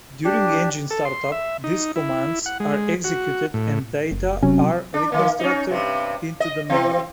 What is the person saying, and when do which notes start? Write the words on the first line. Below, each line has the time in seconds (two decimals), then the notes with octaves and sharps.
During engine start-up, these commands are executed and data are reconstructed into the memory.
0.24 D4 G4
0.91 A4
1.05 C6
1.32 E5
1.64 D#4
1.96 E4
2.46 F#5
2.60 G#3
3.04 F#4
3.54 A2
4.11 F#1
4.43 C3 F#3 C#4
4.94 D4
5.12 D#3 A#3
5.39 C#4 D#4
5.71 G2 C3
6.40 D#5
6.70 E3 C4